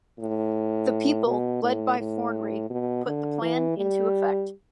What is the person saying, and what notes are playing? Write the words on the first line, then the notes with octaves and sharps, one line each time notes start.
The people, led by Fornri, put the Plan into effect.
A2
B2
A2
A2
B2
D3
E3
G3